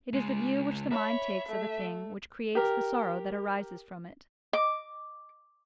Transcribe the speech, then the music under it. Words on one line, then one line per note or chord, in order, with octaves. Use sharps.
It is the view which the mind takes of a thing which creates the sorrow that arises from it.
C#2 G#3
C#5 E5 B5
A3
G4 A#4
D#5 D6